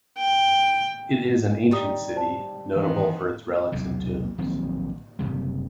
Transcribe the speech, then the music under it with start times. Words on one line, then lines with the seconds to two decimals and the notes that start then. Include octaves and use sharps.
It is an ancient city, notable for its relics and tombs.
0.17 G5
1.71 G3 D#4 G4 D#6
2.16 C5 A5
2.76 D#3 E3 B3 C4
3.72 B1 E2 C3
4.38 A#1 D#3 F#3 C4
5.19 F#1 D#2 C3 G3